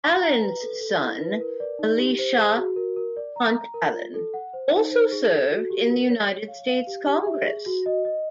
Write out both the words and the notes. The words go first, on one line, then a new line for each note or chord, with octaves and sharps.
Allen's son, Elisha Hunt Allen, also served in the United States Congress.
A#5
B4
A4
A4
E4
B4
A#4
D5
D#4
G4
C5
G#4
F#4
A#4
A#4
D5
A#5
A#5
A#4
F4
A4
F#5
C5
D#4
C5
G#4
A4
F#4
G4
A#4
C#5
C#5
F5
F5
G4
G4
E5
G#4
F#4
D#5
D#5